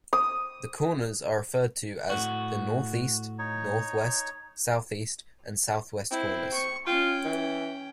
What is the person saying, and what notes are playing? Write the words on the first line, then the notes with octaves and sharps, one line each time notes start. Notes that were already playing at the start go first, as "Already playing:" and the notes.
The corners are referred to as the North-East, North-West, South-East and South-West corners.
D#6
A2 F#4
D#4 C#5
C4 E4
C#6
C#4 F4 G5
E3